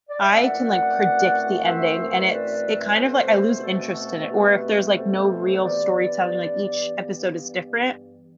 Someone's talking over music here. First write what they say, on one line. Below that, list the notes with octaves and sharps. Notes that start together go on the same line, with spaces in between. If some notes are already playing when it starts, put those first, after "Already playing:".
I can, like, predict the ending, and it's it kinda, like I lose interest in it, or if there's, like, no real storytelling, like, each episode is different
D5
E5
F#2 E3 A3 C4 D5 F#5
C5 E5
E5
B4 D5
E5
D5
B2 A3 C4 A4 C5
F#4 A4
C5
G4 B4
B4
A4 C5
G2 E3 B3 B4 D5